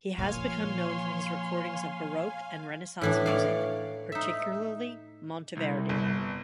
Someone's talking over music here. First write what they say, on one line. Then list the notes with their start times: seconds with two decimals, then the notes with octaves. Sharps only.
He has become known for his recordings of Baroque and Renaissance music, particularly Monteverdi.
0.18 A#2 F3 C#5 F5 G#5 C6
3.01 A2 E3 D4
3.26 C#5 D5 F5
4.12 D#4 E5
5.57 C2
5.89 G1